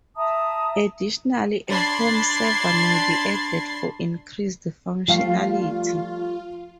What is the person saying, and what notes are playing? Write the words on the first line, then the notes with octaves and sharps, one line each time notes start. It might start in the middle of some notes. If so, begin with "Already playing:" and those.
Additionally, a home server may be added for increased functionality.
E5 A5 A#5 D#6
D4 B5 C6 G#6 A6 C7
F3 G3 A3 F4 F5 C7